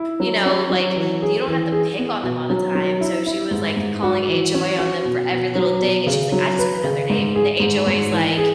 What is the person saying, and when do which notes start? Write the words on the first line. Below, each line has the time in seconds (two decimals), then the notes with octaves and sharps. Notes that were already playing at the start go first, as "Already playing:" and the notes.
you know, like you don't have to pick on them all the time," so she was, like, calling HOA on them for every little thing, and she's like, "I just wanna know their name," and the HOA is, like,
Already playing: E4
0.20 F#3
0.45 C#4
0.70 F#3
0.95 E3
1.22 G#4
1.48 E3
1.72 G#4
1.99 B3
2.23 B2
2.50 F#3
2.75 F#3
3.01 E4
3.27 E4
3.51 G#2
3.77 G#2
4.03 F#4
4.28 E3
4.54 C#4
4.79 F#4
5.05 B2
5.31 B2
5.55 F#3
5.81 B2
6.07 C#3
6.32 F#3
6.59 B4
6.84 C#3
7.10 G#2
7.36 G#4
7.60 G#2
7.87 G#2
8.11 E3
8.37 G#4